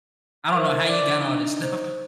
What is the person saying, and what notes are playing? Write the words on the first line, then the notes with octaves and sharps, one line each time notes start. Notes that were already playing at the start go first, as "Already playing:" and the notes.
I don't know how you got all this stuff
A#4 C5 E5
D5
D4 D#4 G7
C5